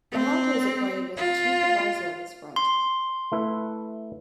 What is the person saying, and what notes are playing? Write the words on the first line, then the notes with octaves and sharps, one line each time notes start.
Mahanta was appointed as the chief adviser of this front.
C4
F4
C6
A3 E4 B4